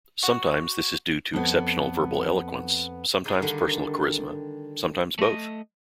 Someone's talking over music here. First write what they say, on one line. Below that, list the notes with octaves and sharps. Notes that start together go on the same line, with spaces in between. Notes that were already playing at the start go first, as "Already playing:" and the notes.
Sometimes this is due to exceptional verbal eloquence, sometimes personal charisma, sometimes both.
F#4
F2 B3
D4 D#4 G#4
D3 D#3 G3
A3 D#5